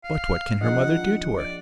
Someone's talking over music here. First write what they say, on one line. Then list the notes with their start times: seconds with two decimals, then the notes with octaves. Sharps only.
"But what can her mother do to her?"
0.04 F5
0.61 A#1 D#4 G#4 D#5 F#5
1.38 D5